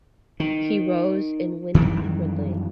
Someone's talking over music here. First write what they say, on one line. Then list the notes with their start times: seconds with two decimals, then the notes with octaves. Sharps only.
He rose and went awkwardly.
0.40 D#3
1.74 F#2 D#3 E3 G3